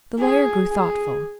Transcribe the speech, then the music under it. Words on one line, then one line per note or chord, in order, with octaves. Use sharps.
The lawyer grew thoughtful.
G#4
G#4